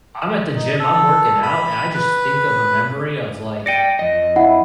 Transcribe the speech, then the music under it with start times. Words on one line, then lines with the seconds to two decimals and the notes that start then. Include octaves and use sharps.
I'm at the gym, I'm working out, and I just think of a memory of, like
0.56 D#4
0.80 A4
1.43 B5
1.94 B4
3.66 D5 G5 A#6 C#7 D#7
3.99 F2 D#5
4.36 E4 F#5